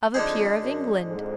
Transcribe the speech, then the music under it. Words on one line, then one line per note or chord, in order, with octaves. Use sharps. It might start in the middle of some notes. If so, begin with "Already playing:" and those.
Of a peer of England.
F2 D3 G#3 D#4 G#4
F#2
F2 G#2